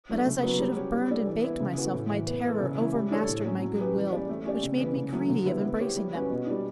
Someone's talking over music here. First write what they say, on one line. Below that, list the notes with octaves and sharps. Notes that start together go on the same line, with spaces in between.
But as I should have burned and baked myself, My terror overmastered my good will, Which made me greedy of embracing them.
F#3 A3 D4
C#3
F#3 B3 F#4
G3
C#4 G4 C#5
G3
D4 A4 D5
E3
B3 E4
C#3
E3 B3 F#4 A4
A2
E3 A3
B3
E4 A4
C#3
E3 A3 C#4 E4
G3
D4 A4 C#5
A2
F#3 A3 C#4
F#3
C#4 G4 B4
E3
G3 C#4 G4 D5
A3
C#4 G4 D5
C#3
E3 B3
C#3
F#3 A3
D3
G3 B3 E4
B3
E4 G4 C#5
G3
C#4 F#4 B4
B2
G3 D4